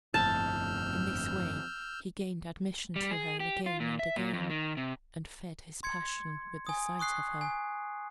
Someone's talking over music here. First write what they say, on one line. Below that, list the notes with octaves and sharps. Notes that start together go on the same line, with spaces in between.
In this way he gained admission to her again and again, and fed his passion with the sight of her.
G1 F2 A2 A5 E6 F6 G6
G3
G#4
G4
F4
A#2
E5
A#2
F2
D#3
C3
C6 G#6 C#7
G#5 D#6
C#6 D#6 F#6 C7
G#5